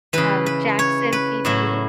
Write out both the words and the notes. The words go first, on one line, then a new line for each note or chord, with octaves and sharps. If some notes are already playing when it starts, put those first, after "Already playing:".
um, Jackson VP.
C#3 E3 B4
B4
C#5
B4
A2 F#3 E4